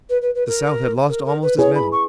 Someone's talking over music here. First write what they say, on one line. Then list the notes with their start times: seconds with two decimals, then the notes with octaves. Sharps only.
The South had lost almost as many.
0.09 B4
0.21 B4
0.34 B4
0.46 A#4
1.09 A#4
1.25 A#4
1.42 B4
1.58 E4 G#4 B4 C#5
1.75 B5
1.91 C#6